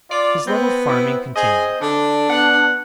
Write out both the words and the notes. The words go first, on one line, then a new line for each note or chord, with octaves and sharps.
His love of farming continued.
F4 D5
B3 C4
C4 E4
C4 G#4 C5 D#5
D3 D4
B3 F#5